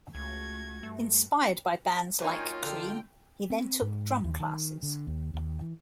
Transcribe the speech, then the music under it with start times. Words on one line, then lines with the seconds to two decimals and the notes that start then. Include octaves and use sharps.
Inspired by bands like Cream, he then took drum classes.
0.15 C#2 A3 F#4 G#6
0.83 G2 A3
2.20 F#3 A#3 D#4 F4 C#5 G5 G#5
2.63 D3 G5 A#5
3.50 C4
3.81 G#2
4.24 D#2
4.40 D#3
4.83 D3
5.07 D#2
5.34 D#2
5.61 E3